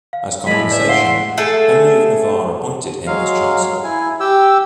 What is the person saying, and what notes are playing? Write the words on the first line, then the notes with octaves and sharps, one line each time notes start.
As compensation, Henry of Navarre appointed him his chancellor.
F5
A2 G#3 B5
B4 D5 E5
F5 F#5 C6
A3 G#4 A4
F#3 G#3 F5
E4 G#5
G4 G5 E6